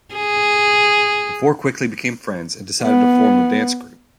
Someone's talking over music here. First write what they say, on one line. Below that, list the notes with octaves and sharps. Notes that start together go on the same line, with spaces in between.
The four quickly became friends and decided to form a dance group.
G#4
B3